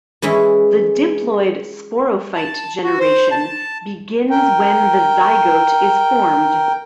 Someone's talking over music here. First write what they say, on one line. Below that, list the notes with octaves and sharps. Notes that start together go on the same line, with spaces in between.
The diploid sporophyte generation begins when the zygote is formed.
E3 G#3 C#4 E4
A5
F#4
C5
A5
A#4 G5